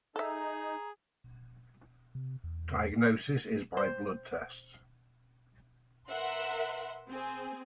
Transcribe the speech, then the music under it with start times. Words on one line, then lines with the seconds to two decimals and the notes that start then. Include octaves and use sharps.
Diagnosis is by blood tests.
0.16 D#4 G#4 A4 E5 A#5
2.15 C3
2.44 E2
3.77 C5
6.08 A#4 B4 E5 F#5 C6
7.09 C4 G#4